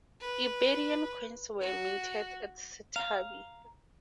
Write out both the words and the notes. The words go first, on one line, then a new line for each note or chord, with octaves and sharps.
Iberian coins were minted at "Setabi".
B4
F#4
F5 A#5